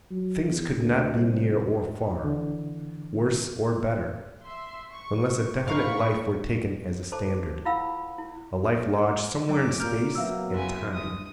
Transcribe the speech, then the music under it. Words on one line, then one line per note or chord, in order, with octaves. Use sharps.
Things could not be near or far, worse or better, unless a definite life were taken as a standard, a life lodged somewhere in space and time.
F#3
E2
D2
C2
D3 E3
E5 C6
C#6
G#2 A#4 F5 B5 C#6
A4 C5 A5 D6
E4 F4 F5 F#5 B5 E6
E4
F#2 D6
A1 A#2 A#5 F6 G6
F#3 A#3 B3 E5 F5 E6
F#1 E4 G#5
G2 D#6